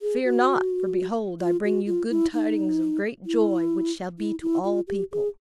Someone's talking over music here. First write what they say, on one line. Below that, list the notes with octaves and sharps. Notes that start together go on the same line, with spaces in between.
"Fear not: for behold, I bring you good tidings of great joy, which shall be to all people."
G#4
F#4
F4
F#4
F4
E4
D#4
E4
E4
E4
F4
G4
G#4